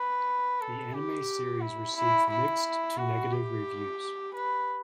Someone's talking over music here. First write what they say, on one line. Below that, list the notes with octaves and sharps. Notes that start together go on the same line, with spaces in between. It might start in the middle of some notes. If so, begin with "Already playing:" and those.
The anime series received mixed to negative reviews.
Already playing: B4
A4
G4
E4
E4
E4
F#4
G4
B4